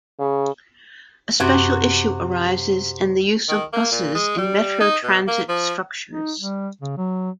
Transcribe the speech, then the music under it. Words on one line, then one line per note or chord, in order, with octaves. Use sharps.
A special issue arises in the use of buses in metro transit structures.
C#3
F#2 C3 F#4
D#3
A#3
A#2
G#3
G3
D#4
B2
A#3
F3
D#4
G3
C#3
F#3